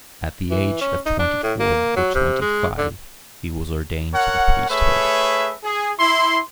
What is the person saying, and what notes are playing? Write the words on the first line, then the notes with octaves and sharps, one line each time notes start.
At the age of twenty-four or twenty-five, he was ordained to the priesthood.
E3
C#4
D#4
D4
A2
A#3
F#3
C3
G#3
D3
A#4 C#5 F#5
A3 G#4 B4 C#5 E5
G#4
E4 C6